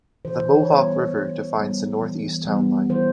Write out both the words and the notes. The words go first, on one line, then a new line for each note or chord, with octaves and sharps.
The Mohawk River defines the northeast town line.
E3 C5
C#5
C5
G3 B3 C#5
E3
G3 B3
E3
G3 B3
E3 C5